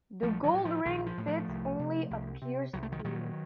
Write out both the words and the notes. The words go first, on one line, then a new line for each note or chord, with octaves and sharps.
The gold ring fits only a pierced ear.
A#1 F3 A3
D#3 F#3
A2
F3
A#1 D#3
F3
A2
F3 A3
C2
C3
C2
C3
C2 F#3
A3
D#3 F#3
F3
A#2 D#3 F#3